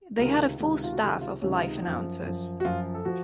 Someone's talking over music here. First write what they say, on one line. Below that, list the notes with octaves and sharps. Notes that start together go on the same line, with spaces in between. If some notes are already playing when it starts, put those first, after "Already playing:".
They had a full staff of live announcers.
C#2 C3 D#3 A#4
C#2 C3 D#3
D#4
F4
F#4
C#2 C3 D#3 A4
F4
C#2 C3 D#3 C#4
F4
D#4
F#2 F3
F#2 F3
F#4
F#2 F3 F4
A4
F3 F#4